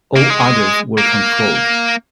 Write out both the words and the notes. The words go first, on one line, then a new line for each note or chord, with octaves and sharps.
All others were controlled.
A#3
G#3
A#3